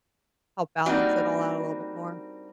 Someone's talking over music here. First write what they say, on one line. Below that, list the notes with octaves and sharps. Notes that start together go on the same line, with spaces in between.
Help balance it all out a little bit more.
G3 A#3 C4 D4 D#4 F#4